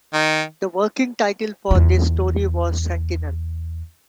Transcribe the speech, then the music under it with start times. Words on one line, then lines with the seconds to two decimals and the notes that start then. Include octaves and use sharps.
The working title for this story was "Sentinel".
0.13 D#3
1.71 E2 F4